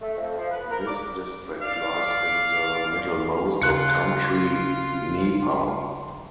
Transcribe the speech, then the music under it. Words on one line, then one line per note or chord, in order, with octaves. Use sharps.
This district lies in the middlemost of country Nepal.
A3
F2
F3
B4
A#4
D6
D5 F5
D#2 C#3 F4 F#6 C#7